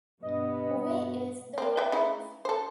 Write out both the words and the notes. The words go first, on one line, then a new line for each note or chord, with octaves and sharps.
V is the voltage.
G2 B2 B3 D#5
A#3 C4
B4 E5 G5
C#3 D#4 E4
A4 C5